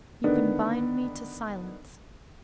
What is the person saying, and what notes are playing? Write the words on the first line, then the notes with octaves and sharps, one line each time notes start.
You can bind me to silence.
D3 D#3 B3 D4